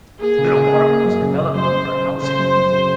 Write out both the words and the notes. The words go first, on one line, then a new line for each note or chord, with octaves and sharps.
Little Park was developed for housing.
A#3 G#4
C#3
C#3
A#3
A#3
F#2
C#3
C#3
F#2 C5
F#2
C#3
C#3
C#3 C5
F#2
F#2
C#3